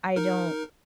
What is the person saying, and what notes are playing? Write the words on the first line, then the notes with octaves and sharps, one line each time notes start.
I don't
D#4 A#4